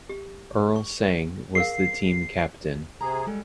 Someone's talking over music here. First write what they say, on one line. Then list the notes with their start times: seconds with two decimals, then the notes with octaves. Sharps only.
Earl Sang was the team captain.
0.09 G4
0.76 C#6
1.55 G#4 A#4 F5 C7
3.01 C3 G#4 A#5
3.27 G3 G#3 A4